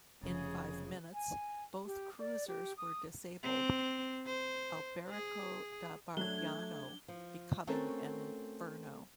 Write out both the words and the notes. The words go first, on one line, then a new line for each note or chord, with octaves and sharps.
In five minutes both cruisers were disabled, "Alberico da Barbiano" becoming an inferno.
F1 C#3 F3 G#4
G#5
G4
D5
G4
D#6
C4
C5
G#4
F#3 A3 D4 G#6 G7
F3
A3 C4 C#4 F#4 A4 A#4